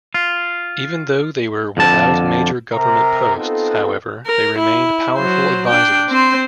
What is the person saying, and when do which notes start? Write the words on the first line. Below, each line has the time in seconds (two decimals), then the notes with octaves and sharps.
Even though they were without major government posts, however, they remained powerful advisors.
0.14 F4
1.77 F2 D3 A5
2.73 C3 A#4 A#5
3.36 B3 C4 D#4 F4 A4
4.26 A#4
4.58 E4
5.16 F#3 C5
5.68 D4 G5
6.09 C4 C5